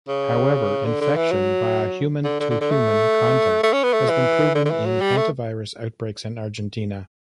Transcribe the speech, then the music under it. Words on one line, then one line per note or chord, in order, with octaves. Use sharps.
However, infection via human-to-human contact has been proven in hantavirus outbreaks in Argentina.
C#3
D3
D3
E3
F#3
D3
D3
D3
D3
A3
A3
C#4
B3
A3
E3
D3
D3
E3
F#3
G3
A3